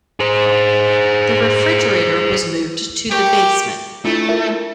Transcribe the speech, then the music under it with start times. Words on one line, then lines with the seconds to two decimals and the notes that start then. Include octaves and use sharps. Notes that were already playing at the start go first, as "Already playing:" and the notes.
The refrigerator was moved to the basement.
0.20 G#4 C5
3.11 G4 A#4 C#5 G5
4.05 A3 D4 E4 F4
4.29 F4 A#4 E5